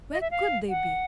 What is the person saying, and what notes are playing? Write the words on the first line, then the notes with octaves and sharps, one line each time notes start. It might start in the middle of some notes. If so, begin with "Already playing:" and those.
Where could they be?
D#5
E5
F5
F#5